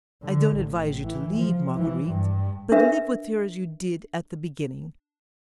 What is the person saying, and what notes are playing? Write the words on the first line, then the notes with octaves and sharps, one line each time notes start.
I don't advise you to leave Marguerite, but live with her as you did at the beginning.
D3
A1
E3
F3
E3
G2
D4 A#4 B4 E5